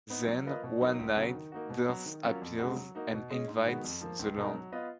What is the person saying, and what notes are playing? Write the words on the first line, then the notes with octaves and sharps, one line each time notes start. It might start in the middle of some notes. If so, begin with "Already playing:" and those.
Then, one night, Dirth appears and invades the land.
B3 D#4
F#3
A#3 F4 B4 D#5
B2
F#3 A#3 D#4
C#2
C#3 F#3 B3 F#4
D#3
A#3 D#4 F#4
B2
F#3 B3
D#3
F#3 A#3 C#4 F4
F2
C#3 G#3 B3 F#4
F#3
A#3 D#4 F#4
B2
G#3 C#4 G#4 D#5
G#2
D#3 G#3 B3 F#4
F2
F3 A#3
C#2
B2 G#3 D#4 A#4
F#3
B3 F4 B4 D#5